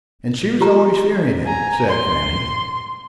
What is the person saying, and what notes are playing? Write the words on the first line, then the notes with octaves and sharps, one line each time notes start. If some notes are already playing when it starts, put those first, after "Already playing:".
"And she was always fearing it," said Fanny.
G4 A#5
G#5 A#5
C6